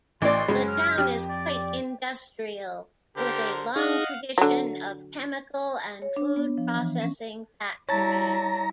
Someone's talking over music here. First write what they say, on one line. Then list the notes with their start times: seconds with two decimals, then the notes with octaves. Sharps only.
The town is quite industrial with a long tradition of chemical and food-processing factories.
0.22 A1 E3 F#4 D5 A5 C6
0.48 F#2 C#3 G#3 C#4
0.68 F6
0.98 F2 G4
1.28 D5
3.17 D3 G4 A#4 C5
3.76 D#4 G#4 D#5 F5 F#5
4.38 D3 F#3
6.02 C#5
6.16 D4
6.36 B3
6.58 F3
6.75 E3
7.01 C#4
7.89 G3 E4 C#5 A5 A#5 A6